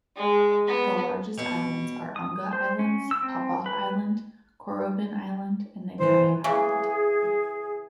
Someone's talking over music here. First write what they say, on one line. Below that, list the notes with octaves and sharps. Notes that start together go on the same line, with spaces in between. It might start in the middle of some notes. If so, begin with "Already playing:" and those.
The largest islands are Unga Island, Popof Island, Korovin Island, and Nagai Island.
G#3
B3
B2
D#6
C5
C#4
E6
C4
B4
E3 C5
C#3 E3 G#4